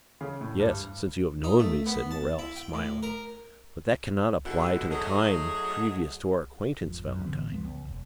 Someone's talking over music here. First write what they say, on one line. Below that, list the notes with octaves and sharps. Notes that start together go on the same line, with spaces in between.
"Yes, since you have known me," said Morrel, smiling; "but that cannot apply to the time previous to our acquaintance, Valentine."
C#3
A2
G2
D#4
A3
B3
A5
E4
G5
A2
A#4
D2 B2 E3 G#3 E4 A4
F#3 A3 D#4 G#4
G#1 F2
F#2
A2 D3 E3 B3
E2 F3 G#3 B3
C#2
E1